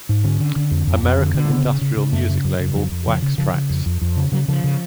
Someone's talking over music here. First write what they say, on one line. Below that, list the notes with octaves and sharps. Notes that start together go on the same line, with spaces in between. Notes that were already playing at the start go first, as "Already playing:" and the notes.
American industrial music label Wax Trax!
G#2
D3 C#4
D3
D3
F2
F2
F2
D3
D3
A3
C#3 B3
C#3
C#3
C#3
F#2 A3
C#3
F#2
C#3
F2 F#3
F2
C#3 F3
C#3
C#3 F3
C#3
F2
F2
F2
C#3 F3
C#3 F#3
C#3 F3
C#3